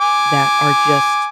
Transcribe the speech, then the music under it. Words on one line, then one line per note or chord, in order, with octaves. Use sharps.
that are just
G#5 D6